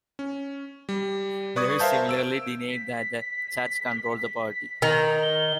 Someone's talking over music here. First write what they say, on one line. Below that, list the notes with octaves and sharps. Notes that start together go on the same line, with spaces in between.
Lewis similarly denied that the church controlled the party.
C#4
G3
B4 D5 C#6 D#6 G#6
A#4 C5 E5 F5 A5 G6
E6 D7
B6
D#3 A#5
G7